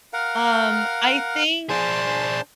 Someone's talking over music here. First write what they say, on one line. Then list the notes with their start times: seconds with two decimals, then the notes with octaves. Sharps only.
Um, I think
0.13 A#4 F5 F#5
1.70 D4 G#4 C5 A5 C6